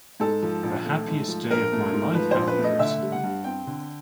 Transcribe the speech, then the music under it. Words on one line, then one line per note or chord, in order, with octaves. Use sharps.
The happiest day of my life happened recently.
G#2 A4
F3
A#1
A3
G#2
F3
A#1 A#4
A3
G#2
F3 B4
C5
A#1
B4
A3
D#5
D3 E5
G3
F#5
G2
C4 G5
D3